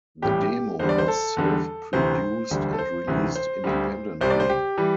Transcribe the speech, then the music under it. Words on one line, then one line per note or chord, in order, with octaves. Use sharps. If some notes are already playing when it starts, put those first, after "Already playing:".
The demo was self-produced and released independently.
A1 A2 G3 G4
E2 D3 G3 C5
D5
C5
A4
E2 D3 G3
D2 C3 E3 C5
E1 D2 D3 G3
A4
C5
E1 D2 C3 E3
C5
D2 D3 G3
C2 C3 G3 C5
D5
C5
G4
E3 G3